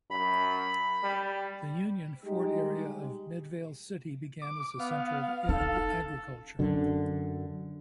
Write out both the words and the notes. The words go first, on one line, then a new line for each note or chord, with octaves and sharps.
The Union Fort area of Midvale City began as a center of agriculture.
F#2 B5
G3
G3 G#3 D#4 G4
D6
B3 F5
D#4 A4
F#2 D3